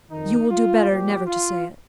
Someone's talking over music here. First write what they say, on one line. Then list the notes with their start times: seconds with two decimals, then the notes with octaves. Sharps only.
"You will do better never to say it."
0.10 F2 D#3 D#4
0.49 F4
0.87 A#2 F3 G4
1.25 F4